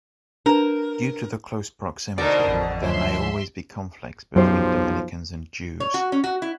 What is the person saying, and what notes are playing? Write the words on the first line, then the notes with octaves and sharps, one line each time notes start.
Due to the close proximity, there may always be conflicts between Dominicans and Jews.
D4 A#4 B4
B2 D3 D#4 A#4 C5 D5
A1 F2
D2 F3 C#5 E5 C6
B1 F#2 F3 G4 C5
C#5
F#4
C#4
F#4
E4